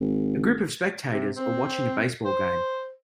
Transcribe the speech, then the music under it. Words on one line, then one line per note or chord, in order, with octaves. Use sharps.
A group of spectators are watching a baseball game.
G#1
C3
C4
C5